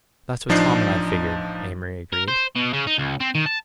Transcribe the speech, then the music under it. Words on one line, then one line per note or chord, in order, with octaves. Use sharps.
"That's what Tom and I figured," Amory agreed.
A1 F3 D4 D#4 C7
A#4
C5
B2
C#3
D#4
C#2
C4
D#3
A5